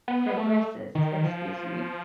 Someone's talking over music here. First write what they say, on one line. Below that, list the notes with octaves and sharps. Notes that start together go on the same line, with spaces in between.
progresses, excuse me.
B3
A3
D#3
F3